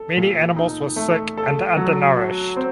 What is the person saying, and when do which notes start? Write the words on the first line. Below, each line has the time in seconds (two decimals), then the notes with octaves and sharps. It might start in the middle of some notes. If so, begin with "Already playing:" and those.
Many animals were sick and undernourished.
Already playing: A4
0.17 A#2
0.56 D#4
0.96 A3
1.37 A4
1.77 F#3
2.16 F#4
2.56 C4